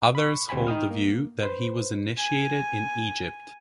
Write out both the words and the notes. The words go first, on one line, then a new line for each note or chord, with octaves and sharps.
Others hold the view that he was initiated in Egypt.
B5 C#6
D2 C3 C5 G5 G#5 B5
D#4 G5 D#6 F6
A#3
B4 C5
G#5